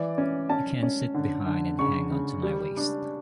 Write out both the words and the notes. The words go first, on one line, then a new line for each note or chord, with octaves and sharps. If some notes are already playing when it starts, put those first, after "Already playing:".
You can sit behind and hang on to my waist.
Already playing: E3 D5
C#4
C#4 A5
C#4
D3
D3
C#3 C#6
C#3
G3
D4